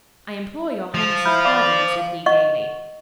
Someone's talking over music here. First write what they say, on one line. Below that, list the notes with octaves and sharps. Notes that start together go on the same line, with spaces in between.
"I implore your highness's pardon!" said he gaily.
F3
E4 B5 F6 G6
D5 F5
D#5 F#5 C#6